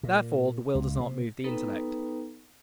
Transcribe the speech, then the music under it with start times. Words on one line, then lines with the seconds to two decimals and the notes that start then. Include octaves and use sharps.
Therefore the will does not move the intellect.
0.03 A#2
0.75 C#2
1.00 C3
1.44 B3 D#4 A4 B4 G5 A#5